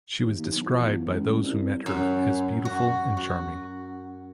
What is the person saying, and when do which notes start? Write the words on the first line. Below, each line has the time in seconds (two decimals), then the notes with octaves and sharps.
She was described by those who met her as beautiful and charming.
0.22 D#2
0.38 D#2
0.52 B1
0.66 F3
0.81 E2
1.10 C#2
1.43 C2
1.86 F#2
2.65 F#4
3.17 F#4